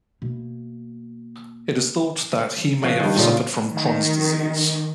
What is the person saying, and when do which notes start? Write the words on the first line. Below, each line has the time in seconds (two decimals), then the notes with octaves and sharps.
It is thought that he may have suffered from Crohn's disease.
0.22 B2 A#3
2.82 C#3 F3 F#4 F5
3.00 G2 D#3
3.16 A#2 C#3 F4
3.73 D#3